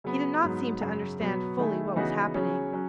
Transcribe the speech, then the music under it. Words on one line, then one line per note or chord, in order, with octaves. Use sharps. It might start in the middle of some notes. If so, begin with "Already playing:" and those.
He did not seem to understand fully what was happening.
C#3 F#3 B3
G#2 F#3 B3
F#2 C#3 F#3
B2 F#3 B3
D#3 A3 E4 G#4
C#3 E3 B3 D#4 F#4
C#3 F#3 C#4 G#4
F#3 C#4